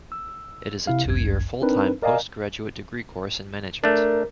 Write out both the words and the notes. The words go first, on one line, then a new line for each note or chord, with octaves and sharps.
It is a two-year full-time post-graduate degree course in management.
E6
C3 E4 F5
G#1 C#2 F#2 G#6
C4 D4 D#4 A#4 B4
A#4 D5 D#5 F5 G#5 A#5
A3 D4 A#4